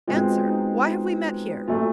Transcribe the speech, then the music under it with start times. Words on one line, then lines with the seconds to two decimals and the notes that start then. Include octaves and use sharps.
Answer: why have we met here?
0.08 B2 G#3 C4 F4
0.47 D#4
1.68 A#2 F#3 A3 F4